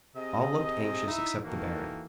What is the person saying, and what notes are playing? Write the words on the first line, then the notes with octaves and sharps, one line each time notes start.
All looked anxious except the baron.
C3 G#4 D#5
D#4 E4 E5
D#3 E3 A#3 F#4 A4